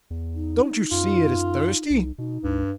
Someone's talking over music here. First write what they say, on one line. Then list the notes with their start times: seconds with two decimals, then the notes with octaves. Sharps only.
Don't you see it is thirsty?
0.10 E2
0.35 D#4
0.91 F#2 F4
1.90 C2
2.18 B2 D#4
2.43 C#2 G2